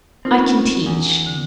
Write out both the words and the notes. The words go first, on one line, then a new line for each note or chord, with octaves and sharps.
I can teach.
C4 D#4 F4 A#4
C#4
E2
D3